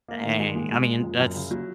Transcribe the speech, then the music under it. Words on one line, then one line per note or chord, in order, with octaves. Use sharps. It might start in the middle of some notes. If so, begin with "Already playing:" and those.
Dang. I mean, that's
A#3
D#3
G#3
G#3
G#3
F3
F#2
F#2
C#3
F#3